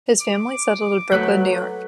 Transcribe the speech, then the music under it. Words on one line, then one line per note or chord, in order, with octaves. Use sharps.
His family settled in Brooklyn, New York.
D6
F#3 A3 B4 F#6